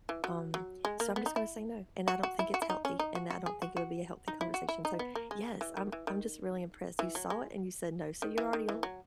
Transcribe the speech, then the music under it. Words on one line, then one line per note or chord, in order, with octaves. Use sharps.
um, so I'm just gonna say no, and I don't think it's healthy, and I don't think it would be a healthy conversation," so yes, I'm I'm just really impressed, you saw it and you said no, so you're already on
E3
F#3
F#3
G#3
A#3
B3
D#4
E4
F#4
F#4
E4
F#4
E4
D#4
C#4
D#4
F#4
F#4
G#4
F#4
F#4
D#4
E4
F#4
E4
D#4
B3
A#3
G#3
E3
D#3
E3
D#3
E3
F#3
G#3
D#3
E3
D#3
E3
F#3